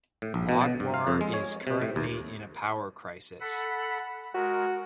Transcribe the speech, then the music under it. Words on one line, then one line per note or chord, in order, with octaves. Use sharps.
Lodwar is currently in a power crisis.
A2
A#1
B2
B2
G2
F5
F2
G#3
C#5
C3
A2
D#2
A4 F#5 B5
G#3 F#4 A#4